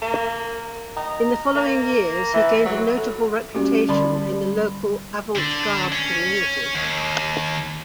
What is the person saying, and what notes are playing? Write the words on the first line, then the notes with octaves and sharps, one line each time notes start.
In the following years, he gained a notable reputation in the local avant-garde community.
A#3
D#4
A#3
E3
F#3
A4
G3 A#3 C#4 F#4 G4
D3 G3 D5 B5 C6
D3 D4
C#4
D#2